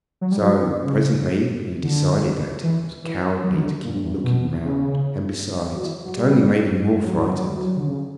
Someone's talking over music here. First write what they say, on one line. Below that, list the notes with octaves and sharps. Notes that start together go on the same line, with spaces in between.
So presently he decided that it was cowardly to keep looking round, and besides, it only made him more frightened.
F#3
G3
F#3
D3
C#3
D3
E3
E3
F#3
E3
D3
A#2
G2
E2
F#2
B2
C#3
F#3
E3
F#3
G3
F#3
E3
D3
F#3
G3
F#3
F#3
D3
C#3